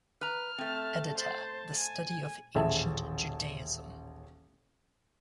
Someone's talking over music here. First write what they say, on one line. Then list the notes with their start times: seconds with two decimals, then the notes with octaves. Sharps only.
Editor: The Study of Ancient Judaism.
0.21 B4 A#5 F6
0.58 A3 C4 A5
1.18 C5 A5
1.74 G#5
2.55 D#1 A1 G#4 E5 A5